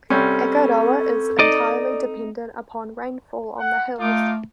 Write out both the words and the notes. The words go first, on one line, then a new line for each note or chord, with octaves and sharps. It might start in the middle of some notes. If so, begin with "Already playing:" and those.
Akaroa is entirely dependent upon rainfall on the hills.
C3 G3 C4 C#4 A4
D#4 D5 D#5
F#5
A3 D#4 F4 D6